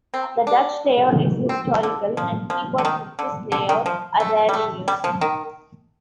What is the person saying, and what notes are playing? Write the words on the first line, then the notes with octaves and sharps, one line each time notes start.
The Dutch layout is historical, and keyboards with this layout are rarely used.
C4
D4
C4
D3
F3
F3
D3
D#3
D3
D3
D#3
F3
A3
G3
A3
G3
F3
D#3